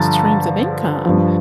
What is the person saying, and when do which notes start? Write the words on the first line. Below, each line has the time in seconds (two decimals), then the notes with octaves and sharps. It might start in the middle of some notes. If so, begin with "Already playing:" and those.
streams of income,
Already playing: G2 D3 F3 A5 A#5
1.06 G2 F3